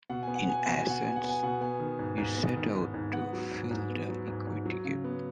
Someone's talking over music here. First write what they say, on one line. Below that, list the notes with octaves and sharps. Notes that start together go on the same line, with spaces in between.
In essence it set out to fill the 'equity gap'.
B2 F#5
B3 G#5
F#5
B3 G#5
B2 F#5
G#5
B2
F#5
B3 G#5
F#5
B3
G#5
B2 F#5
B3 G#5
D#3
G#2
G#2
B3
D#3
G#2
G#2
B3 F#5
F#3
G#2
G#2
B3
F#3
G#2
G#2
F#3
C#3
B3